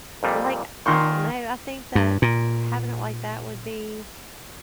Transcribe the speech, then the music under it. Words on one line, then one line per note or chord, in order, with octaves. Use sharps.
I Like, I don't know, I think that having it like that would be
F2 A#2 G3
A#2 D#3 C6 C#6
G2
A#2